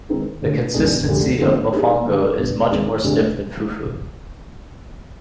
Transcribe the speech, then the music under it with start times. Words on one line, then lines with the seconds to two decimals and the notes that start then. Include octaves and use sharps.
The consistency of mofongo is much more stiff than fufu.
0.09 D#3 G#3 C4 D#4 G#4
0.42 D2 D3 G3
0.74 C2 B2 G#3 D4 G#4
1.08 D2 D3 G3
1.40 D#2 D3 F3 C4
1.73 G3 B3 D#4 G#4
2.05 D3 G#3 D4 F4 B4
2.38 B2 B3 D4
2.71 D#3 G#3 C4
3.04 D2 C3 G3 D4 G#4